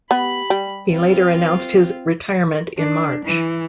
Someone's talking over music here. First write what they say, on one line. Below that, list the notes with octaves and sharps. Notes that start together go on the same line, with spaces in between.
He later announced his retirement in March.
B3 G4 B5
G3
C4 F4
D4
E3